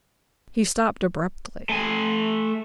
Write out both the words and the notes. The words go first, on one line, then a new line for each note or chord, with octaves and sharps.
He stopped abruptly.
A3 G#5